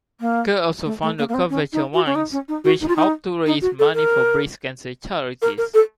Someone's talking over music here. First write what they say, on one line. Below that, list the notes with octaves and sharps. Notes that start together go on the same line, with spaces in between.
Kerr also founded Curvature Wines, which helps to raise money for breast cancer charities.
A#3
A3
A3
A#3
A#3
C4
C#4
D#4
F#4
C#4
D#4
C#4
D#4
F#4
D#4
F4
D#4
D#4
F#4
A4
A#4
A#4
A#4
A4